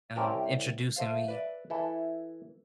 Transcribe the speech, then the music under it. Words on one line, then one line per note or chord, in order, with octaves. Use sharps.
um, introducing me
C2 C4 C#4 G4 A#4 A5
A3 C5 F5
B4 D5 E5
E3 E4 A4